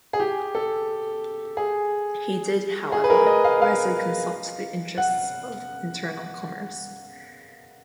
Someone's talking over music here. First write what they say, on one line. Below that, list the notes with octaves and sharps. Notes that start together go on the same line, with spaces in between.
He did, however, wisely consult the interests of internal commerce.
G#4
G4
A4
G#4
G#4
B4
A#4
D#5
F5
F5
F#5